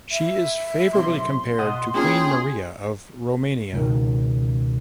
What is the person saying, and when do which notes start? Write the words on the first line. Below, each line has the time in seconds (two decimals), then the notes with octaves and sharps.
She is favourably compared to Queen Maria of Romania.
0.11 E5
0.93 B1 C3 C6
1.59 B2 D#5 F#5
1.94 A#3 C#4 F4 G#4 G5
3.73 C#2 B2 D#3